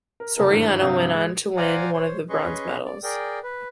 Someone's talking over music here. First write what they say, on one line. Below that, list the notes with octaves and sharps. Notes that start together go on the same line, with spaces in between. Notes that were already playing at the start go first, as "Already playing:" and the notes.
Soriano went on to win one of the bronze medals.
A#4
F#1 G4 A4 A#4
G#1 G2 E3
G2 C3 F#3 F5 D#6 G6
G#3 G#6
C5 D5 F5 F#5 G#5 A#5
C5 C#5
C#4 G#4 B4 D#5 C6 C#6
D5
G#4 A#4 D5 G5
B4